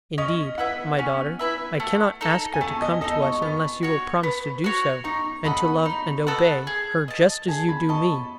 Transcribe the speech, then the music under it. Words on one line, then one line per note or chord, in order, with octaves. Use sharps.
Indeed, my daughter, I cannot ask her to come to us unless you will promise to do so, and to love and obey, her just as you do me.
C#4 D#5
E4 B4 E5 F#5
C#4 G#5
E4 B4 E5
A3
D#4 A4
G#5
A3 A5
D#5
D#4 A4 D#5
C#6
B3 C#6
F#4 C#5
B3
F#4 C#5
D#4 C#6
A4 D#5 F#5 B5
D#4
A4 D#5 F#5
G#4
D#5 A5
G#4 A5
B5
D#5 A5 C#6